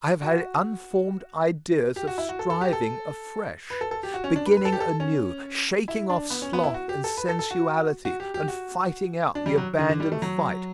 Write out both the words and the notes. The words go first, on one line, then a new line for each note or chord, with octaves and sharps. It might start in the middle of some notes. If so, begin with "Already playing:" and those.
I have had unformed ideas of striving afresh, beginning anew, shaking off sloth and sensuality, and fighting out the abandoned fight.
F#4
G4
F#4
E4
F#4
A4
A4
G4
A4
B4
A4
A4
G4
F#4
C#4
D4
B4
B4
A4
G4
A4
C#4
E4
D4
B3
C#4
B3
E4
F#4
G4
A4
B4
A4
A4
F#4
F#4
G4
G4
F#4
D4
G3
F#3
D3
D3
G3
A3
F#3